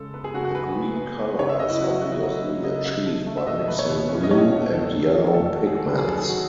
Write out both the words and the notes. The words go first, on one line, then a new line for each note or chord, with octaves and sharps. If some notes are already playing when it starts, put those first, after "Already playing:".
The green color is obviously achieved by mixing blue and yellow pigments.
Already playing: C#3 G#3 A4
B3 B4
G#4
C#3 F#4
F#4
B3 B4
B3
B3
B3
C#3 C#5
E5
C#3 D#5
E4
F#3 F#4
F#4
C#3 F#4
D#5
F#3 D#5
B3
C#3 D#5
C#3
A3
A3
E5
B2 D#5
A3 B4
C#5
B2
C#4
D#5
C#4 C#5
A3
D#3 A4
D#3
A3
C#5
D#3 A4
A4
A3 F#4
G#4
D#3 A4
B4
F#3 G#4
A4
D#3 G#4
F#4